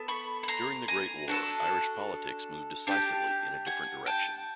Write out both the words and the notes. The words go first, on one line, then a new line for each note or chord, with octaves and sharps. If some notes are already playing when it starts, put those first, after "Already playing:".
During the Great War Irish politics moved decisively in a different direction.
Already playing: B3 A4
B5 C#6
B5
A#5 C6
G#5 A#5
D4 F#4 A4
D4 G4 G5 A5
F#5 G#5
G5 A5